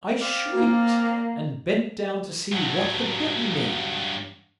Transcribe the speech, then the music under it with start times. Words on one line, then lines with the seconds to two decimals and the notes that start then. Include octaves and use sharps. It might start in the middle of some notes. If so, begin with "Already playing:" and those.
I shrieked and bent down to see what had bitten me.
0.21 C4 D5 F5
0.54 A#3
2.52 G2 F#3